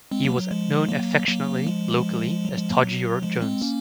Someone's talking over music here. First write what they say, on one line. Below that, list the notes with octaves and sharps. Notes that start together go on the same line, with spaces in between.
He was known affectionately locally as 'Todger' Jones.
G#3 C4
F#3 A#3
F#3
F3 G#3
F#3 A#3
F#3 A#3
F3 G#3
F#3
F3 G#3
F#3 A#3
F#3
F3 G#3
G#3 C4
A#3 C#4